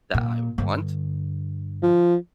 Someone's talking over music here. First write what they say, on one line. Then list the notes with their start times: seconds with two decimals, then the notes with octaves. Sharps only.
that I want
0.14 A#2
0.58 G2 D3
1.83 F3